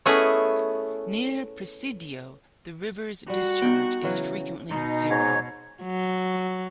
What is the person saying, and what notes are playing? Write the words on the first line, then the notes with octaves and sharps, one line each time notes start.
Near Presidio, the river's discharge is frequently zero.
A3 B3 C#4 E4 G#4 D#5
G3 F#4
B3 D#4 G5
C#3 E3 F#3
B2 D#4
G#2 C#5
F#3